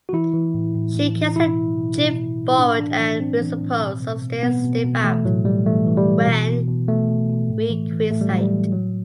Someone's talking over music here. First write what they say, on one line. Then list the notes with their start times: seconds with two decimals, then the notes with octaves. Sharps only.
She carries a jib forward and, we suppose, some steering sail aft, when requisite.
0.09 F#4
0.13 E3 E4
0.33 E3
0.54 A2
0.75 A2
0.95 A2
1.16 E3
1.36 B2 E4
1.56 B2
1.78 B2
1.97 B2
2.18 B2
2.38 B2
2.51 E4
2.59 A2 D4
2.79 E3 D4
2.99 E3 D4
3.20 A2 C4
3.40 E3
3.61 A2
3.82 B2
4.02 B2
4.22 B2
4.43 B2 B3
4.64 B2
4.84 B2
5.04 E3 A3
5.25 A2 F#3
5.45 A2 G3
5.66 E3 A3
5.87 E3
5.97 G3
6.07 E3
6.27 B2
6.48 B2
6.68 B2
6.88 B2 A3
7.09 B2
7.30 B2
7.49 A2
7.70 E3
7.92 E3
8.11 A2 A3
8.21 G3
8.30 A2 F#3
8.41 G3
8.53 E3
8.72 A2 F#3